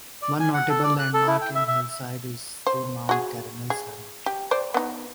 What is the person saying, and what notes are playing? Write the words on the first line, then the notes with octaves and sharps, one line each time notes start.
One notable landmark in Hillside is the Mount Carmel Cemetery.
D5
G#5
F#5
A4
D5
F#6
A4
E4
G5
E5
E5
C5
F#4 G#4
G#4
G4
C5 D5
B3 D#4